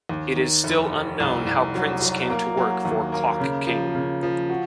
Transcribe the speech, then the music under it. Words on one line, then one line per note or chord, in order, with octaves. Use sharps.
It is still unknown how Prince came to work for Clock King.
D#2
D#3
F1
F1
C2
C2
F#3
F#3
A#3
F#3
D#2
A#3
C#3
F3
C#3
F3
F#4